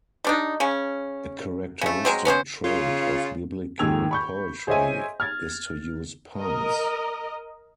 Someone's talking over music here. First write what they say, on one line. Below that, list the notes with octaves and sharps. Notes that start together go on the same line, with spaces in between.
A characteristic trait of biblical poetry is to use puns.
G3 D4 D#4
C#3 C#4
C#3 A3
F#3 G#3 C4
B3 C#4 D4 C5
C#3 F4
D#2 G#2 D#3 E6 G#6 F7
B5 C#6 G6
G#4 C5 C#5 D#5 E5 G#5
F6 G#6 A6
A#4 D#5